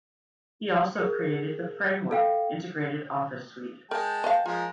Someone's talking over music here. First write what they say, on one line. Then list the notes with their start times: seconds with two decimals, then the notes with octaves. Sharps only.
He also created the Framework integrated office suite.
0.96 G#4 A#4
2.11 A4 F5 G5
3.91 G#3 A#4 G5 A5
4.24 B4 D#5 F5
4.46 F3 G#3 F4 A#4